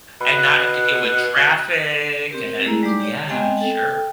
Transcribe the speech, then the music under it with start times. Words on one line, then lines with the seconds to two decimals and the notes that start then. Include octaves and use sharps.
And not have to deal with traffic and yeah, sure.
0.21 B2 B5 F#6
2.31 C4 G4 A#4
2.65 G#3 A3 E4 G#4 D5 A#5
2.83 G3 G#3 D#4 G4 D5 D6
3.00 G4 C#5
3.29 G#3 B3 C4 D#5 G5 G#5
3.57 A4 G5